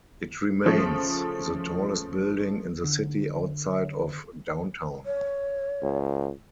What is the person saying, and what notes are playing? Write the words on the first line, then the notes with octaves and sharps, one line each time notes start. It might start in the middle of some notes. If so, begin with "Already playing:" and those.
It remains the tallest building in the city outside of Downtown.
C#3 F3 A3
D3
C#5
C#2